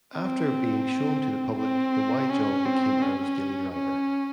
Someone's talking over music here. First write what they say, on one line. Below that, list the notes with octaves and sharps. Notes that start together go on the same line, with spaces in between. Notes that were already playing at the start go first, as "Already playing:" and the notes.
After being shown to the public, the Y-job became Earl's daily driver.
C4
C4
C#4
C4
C#4
C#4